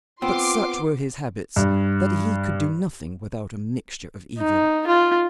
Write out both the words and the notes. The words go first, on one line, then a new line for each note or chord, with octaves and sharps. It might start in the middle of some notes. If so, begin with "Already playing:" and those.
But such were his habits that he could do nothing without a mixture of evil.
B3 C4 F4 C6 D6
G2
D#4
F4